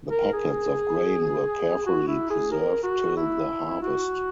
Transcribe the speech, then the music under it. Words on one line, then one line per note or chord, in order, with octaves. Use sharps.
The packets of grain were carefully preserved till the harvest.
A#4
G#4
F#4
E4
G#4
A#4
F#4
E4
F#4